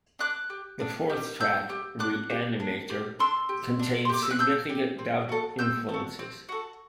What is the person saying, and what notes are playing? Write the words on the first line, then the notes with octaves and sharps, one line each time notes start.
The fourth track, "Reanimator", contains significant dub influences.
D4 D6 F#6
G4
D4
G4
D4 E6 G6
G4
D4 D6 F#6
G4
D4
G4
D4 C6 E6
G4
D4
C6
G4 D6
E6
F#6
D4 E6 G6
G4
C4
F#4 A4
C4 E6 G6
F#4 A4
C4
F#4 A4